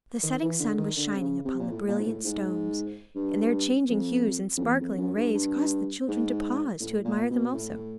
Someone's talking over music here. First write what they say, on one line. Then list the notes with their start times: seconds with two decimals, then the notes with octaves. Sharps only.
The setting sun was shining upon the brilliant stones, and their changing hues and sparkling rays caused the children to pause to admire them also.
0.23 D#3
0.42 E3
0.60 D3
0.78 D#3
0.97 D3
1.14 C3
1.21 C#3
1.45 C3
1.60 A#2
1.70 A2
1.88 A#2
1.98 G#2
2.07 A2
2.25 G#2
3.15 G2
3.89 F2
4.57 F2
4.62 E2
4.80 F2
4.98 F#2
5.17 G2
5.35 G2
6.08 G#2
6.81 A2
7.05 A#2
7.30 B2
7.53 A2